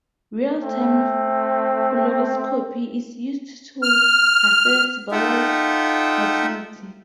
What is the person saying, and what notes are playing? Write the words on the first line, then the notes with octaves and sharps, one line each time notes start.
Real-time fluoroscopy is used to assess bowel motility.
A3 C4
F6
D#4 F4 A4 E5 F#5 G5